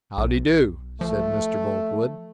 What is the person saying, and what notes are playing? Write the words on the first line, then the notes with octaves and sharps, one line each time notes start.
"How dee do," said Mr. Boltwood.
B1
F3 A3